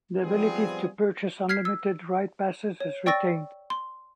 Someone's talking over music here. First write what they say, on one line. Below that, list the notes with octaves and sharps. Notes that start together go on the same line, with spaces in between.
The ability to purchase unlimited ride passes is retained.
F3 G3 B3 C4 F4 G#4
F6 G#6 B6 C7
E6
C#5
D5 G5 C#6 E6 A6 A#6
C6